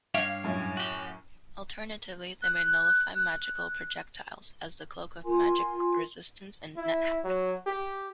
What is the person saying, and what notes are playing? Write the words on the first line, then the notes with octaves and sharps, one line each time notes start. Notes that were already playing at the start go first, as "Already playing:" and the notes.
Alternatively, they may nullify magical projectiles, as the "cloak of magic resistance" in NetHack.
G2 G4 C#5 F5
F#2 A2
F#4 G4
F#6
F#6
F4 A#4 G#5 C6
E4
F#3
G4